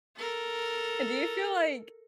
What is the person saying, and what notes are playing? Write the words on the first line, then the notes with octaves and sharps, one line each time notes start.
And do you feel like
A4 A#4